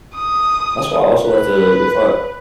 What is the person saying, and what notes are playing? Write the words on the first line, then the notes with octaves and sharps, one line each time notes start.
That's why I also like to to fi
D#6
B4